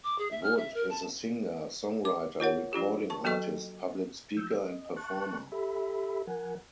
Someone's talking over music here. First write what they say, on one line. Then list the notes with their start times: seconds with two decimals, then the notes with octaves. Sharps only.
Wood is a singer, songwriter, recording artist, public speaker and performer.
0.04 D6
0.18 G#4
0.31 E5
0.43 F6
0.57 E5
0.74 A#4
0.90 A5
2.05 D6
2.40 F4 A#4 C#5 F#5
2.73 F3 D4 F4 G4
3.10 A5 C#6
3.24 F#3 A#3 F#4 A4 D#5 C#6
4.37 F3 E6 G6
4.57 D#5
4.96 A5 C#6 F#6
5.52 G4 A4 E5 B5
6.27 F3 A#4 F#5 G#5